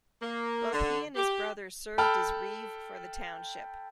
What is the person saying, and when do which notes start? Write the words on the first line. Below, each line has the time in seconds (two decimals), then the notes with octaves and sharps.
Both he and his brother served as reeve for the township.
0.21 A#3
0.73 D3
1.16 G4
1.98 A4 G5 A5 B5 E6 F6